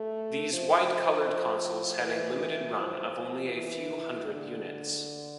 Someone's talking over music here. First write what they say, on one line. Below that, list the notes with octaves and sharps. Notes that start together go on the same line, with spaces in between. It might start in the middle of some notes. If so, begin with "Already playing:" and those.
These white colored consoles had a limited run of only a few hundred units.
Already playing: A3
F3
E3
F3
E3
D3